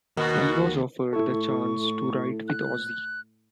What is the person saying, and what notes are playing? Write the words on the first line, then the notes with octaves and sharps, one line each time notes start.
He was offered the chance to write with Ozzy.
D#2 B2 F#4 A#4
A2 E4 A4 C#6
F#6